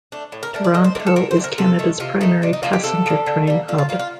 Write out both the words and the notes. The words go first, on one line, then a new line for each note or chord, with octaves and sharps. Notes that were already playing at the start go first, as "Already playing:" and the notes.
Toronto is Canada's primary passenger train hub.
A3 D4
A2
A#4
A3 D4 A#4
D5
D3 D#5
C5
A3 D4 A#4
A4
D3 A#4
C5
A3 D4
A#4
C3 A4
D#3 A3
C3 F4
D#3 A3 D#4
C3 D4
D#4
F3 A#3 D4 F4
G4
C3 A4
F3 A#3 D4
D3
G3 A#3
D3 F4
F4
G3 A#3 F4
F4